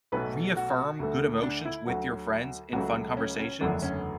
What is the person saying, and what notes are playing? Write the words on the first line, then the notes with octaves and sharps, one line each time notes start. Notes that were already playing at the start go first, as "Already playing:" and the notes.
reaffirm good emotions with your friends in fun conversations,
B1 B2 F#3 A3 B4
F#4
D2 D3 A3
D4
E4
D2 D3 F#3 F#4
C#2 C#3 F#3 A3 F#4
C#4
C#4
F#1 E2 D3 F#3 A3 D4
C#4